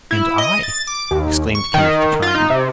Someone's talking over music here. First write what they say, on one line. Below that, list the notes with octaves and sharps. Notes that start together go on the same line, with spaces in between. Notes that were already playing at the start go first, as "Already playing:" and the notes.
"And I," exclaimed Kenneth the Kind.
E4
D#5
A6
D6
D#2
C#6
D#3
F4
D#4
C3